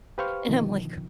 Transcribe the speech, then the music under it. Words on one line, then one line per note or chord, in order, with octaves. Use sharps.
And I'm like,
G4 B4 C5 F5 C#6 F6
B2 D3 D#3 F3